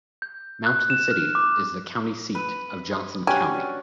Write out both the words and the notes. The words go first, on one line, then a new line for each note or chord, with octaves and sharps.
Mountain City is the county seat of Johnson County.
G6
F#6
E7
F6
D6
B4
C#4 D4 F#4 G4 G#5